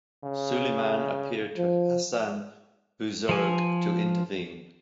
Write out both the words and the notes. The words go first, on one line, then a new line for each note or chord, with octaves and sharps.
Suleiman appealed to Hasan Buzurg to intervene.
C#3
F3
F3 G#5